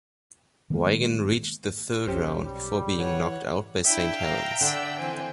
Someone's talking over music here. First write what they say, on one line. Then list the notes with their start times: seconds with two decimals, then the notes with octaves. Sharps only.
Wigan reached the third round before being knocked out by Saint Helens.
0.70 D#3 G#3 A#3 B3
2.07 B1 C#4 G4 C5
2.45 G3
2.97 E3 C#5 F#5
3.86 D4 E4 E5 G5
4.17 F5 A#5
4.61 D3 D5 E6
4.99 E3 C4 G#5